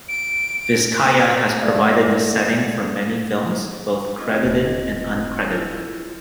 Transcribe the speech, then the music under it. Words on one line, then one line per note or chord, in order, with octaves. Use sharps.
Vizcaya has provided the setting for many films, both credited and uncredited.
D7
G#3 A4 D5 E5 F5
C4 F4 D#5
D#1
E4 F4